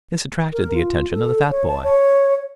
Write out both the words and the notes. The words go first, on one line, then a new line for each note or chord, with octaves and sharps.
This attracted the attention of the fat boy.
A#4
F4
A4
C#5
A5
C#5